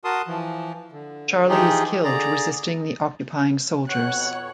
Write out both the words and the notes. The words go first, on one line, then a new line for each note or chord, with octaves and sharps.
Charlie is killed resisting the occupying soldiers.
F#4 A#4 A5 C6 D#6
E3 F3
D3
E3 F3 D#4 F4 G4 G#4
D3 G#4 D5 A#5
F2 B2 C#5 F#5 F#6